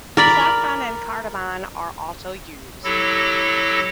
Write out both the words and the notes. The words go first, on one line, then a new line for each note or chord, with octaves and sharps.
Saffron and cardamom are also used.
A#4 D5 B5
F#3 E4 G4 A4 A#6